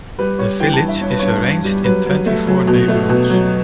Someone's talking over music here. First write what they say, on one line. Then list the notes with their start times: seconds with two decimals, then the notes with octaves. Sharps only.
The village is arranged in twenty four neighbourhoods.
0.19 G3 B4
0.39 G3 C#5
0.60 E3 G5
0.74 A5
0.81 G2
0.88 E5
1.01 G2 C#5
1.10 B4
1.19 G2 C#5
1.43 G2
1.64 G3
1.85 F#3 B4
2.06 F#3
2.26 A3
2.47 F#3
2.67 B2
2.88 A3
3.09 B2
3.30 F#3